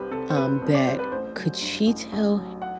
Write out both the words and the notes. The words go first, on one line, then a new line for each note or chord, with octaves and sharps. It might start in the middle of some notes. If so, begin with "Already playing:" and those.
um, that could she tell h
Already playing: C2 G3 G4 B4 C5
C3 A4
C5
C2 B4
C2
D5
G3 C5
B4
A1 C5
F#3
G2
A1
A1
F#3
F#5